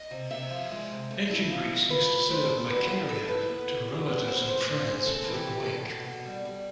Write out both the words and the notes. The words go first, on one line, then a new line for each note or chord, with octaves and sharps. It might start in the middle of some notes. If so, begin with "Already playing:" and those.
Ancient Greeks used to serve "Makaria" to relatives and friends for the wake.
Already playing: D#5
C3
C3 E5
F3
G#3
C3
A3
E4
F3
F3
A3 B4
A3
A3 C5
A3
F#3 B4
E4
E4 A4
E4 B4
B3
E4
F#3
B3
G#3 C5
A2 C5
A2 C5
G#3 C5
C4 A4
E3
G4
E3
A4
A2
B2
B2
G3
G3